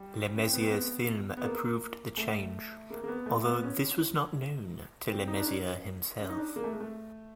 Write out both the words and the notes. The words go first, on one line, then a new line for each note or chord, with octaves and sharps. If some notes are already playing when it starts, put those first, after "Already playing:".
LeMessurier's firm approved the change, although this was not known to LeMessurier himself.
Already playing: G3
C#4
C4
B3
C4
B3
B3
A#3
A3
A#3
A#3
B3
A3
B3
C#4
C4
D#4
D4
C#4
C#4
D#4
D4
A#3
A3
G#3
A3